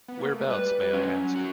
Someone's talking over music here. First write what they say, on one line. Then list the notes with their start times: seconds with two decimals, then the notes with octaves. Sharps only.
Whereabouts, may I ask?
0.08 B3
0.19 A#3
0.30 A3
0.40 G#3
0.50 G3 B4
0.93 F#3 C#4
1.35 F#4